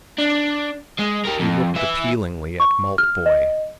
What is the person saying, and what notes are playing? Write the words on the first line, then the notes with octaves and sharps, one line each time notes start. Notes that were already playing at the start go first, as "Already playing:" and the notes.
He looked appealingly at Maltboy.
D4
G#3
G4 A#4
F2
E3 E5
C#6
F6
D#5